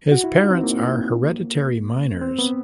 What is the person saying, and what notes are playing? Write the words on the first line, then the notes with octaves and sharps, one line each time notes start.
His parents are hereditary miners.
F#4
E4
D#4
C4
A#3
C4
B3